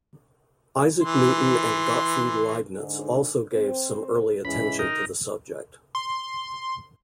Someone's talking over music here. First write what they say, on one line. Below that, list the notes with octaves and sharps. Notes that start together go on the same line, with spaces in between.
Isaac Newton and Gottfried Leibniz also gave some early attention to the subject.
E3 C6
G#2 D3
C4 C5
E3 G#3 C#4 B5
D#4 A#4
C6